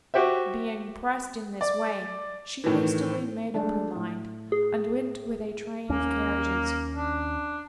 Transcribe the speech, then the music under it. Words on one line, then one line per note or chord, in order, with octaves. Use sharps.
Being pressed in this way, she hastily made up her mind, and went with a train of carriages.
F#4 G4 C5 E5
D5
A2 D#3 E3
G#3 A3 D4
A2
G#4
D#2 A#3 C#4
D4